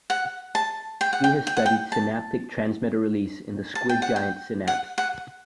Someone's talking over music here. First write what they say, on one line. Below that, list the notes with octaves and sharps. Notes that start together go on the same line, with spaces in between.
He has studied synaptic transmitter release in the squid giant synapse.
F#5
A5
G5
F#5
G5
G5
F#5
G5
A5
A5
G5
F#5
G5
F#5
F#5